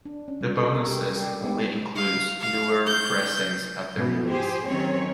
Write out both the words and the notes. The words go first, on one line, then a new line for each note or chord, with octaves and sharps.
The bonus disc only includes newer pressings of the release.
D4
C#4
G3
A4
A#4
G4
G3
G4
B3
F5
F5
G6
G#2 B2 E3 B3
G4 G#4 C5
D#3 F#3 C4 C#4 C#5